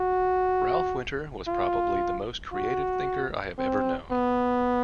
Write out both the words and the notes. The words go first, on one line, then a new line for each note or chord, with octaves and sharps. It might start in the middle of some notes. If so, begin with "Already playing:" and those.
Ralph Winter was probably the most creative thinker I have ever known.
Already playing: F#4
F4
F#4
C4
B3